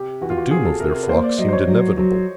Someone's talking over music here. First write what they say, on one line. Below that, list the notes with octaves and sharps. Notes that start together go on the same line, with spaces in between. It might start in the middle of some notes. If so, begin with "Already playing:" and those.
The doom of their flock seemed inevitable.
Already playing: C3 G4
E3 F#4
F4
F#4
C3 G#4
A4
C3 A#4
A#4
B4
A#3 C5
D5
F#3 D#5
C5
C#5
F#3
F#3